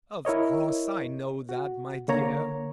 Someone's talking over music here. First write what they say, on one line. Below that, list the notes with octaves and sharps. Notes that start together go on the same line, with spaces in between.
'Of course I know that, my dear.
E4 A#4 C#5 D#5
F#4
D3 A#3 C#5 A#5